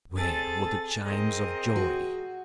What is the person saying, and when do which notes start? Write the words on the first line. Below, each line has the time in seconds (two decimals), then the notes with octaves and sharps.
Where were the chimes of joy?
0.17 C4 G#4 A4 A6
1.05 C4 G#4 A#4 D#5
1.76 F#4